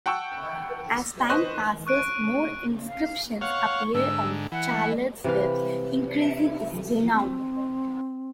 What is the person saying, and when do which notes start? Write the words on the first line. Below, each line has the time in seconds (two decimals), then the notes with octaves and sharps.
As time passes, more inscriptions appear on Charlotte's webs, increasing his renown.
0.06 F#5 G5 A5 C#6 E6
1.29 B4 C5 D#5 C#6 F#6
1.87 C#6 F#6 D7 D#7
2.87 F5
3.41 C#5 F5 F#5 C#6
3.94 G#2 D3 E6
4.52 E3 F#5
5.24 C3 E3 B4 F5
7.12 C4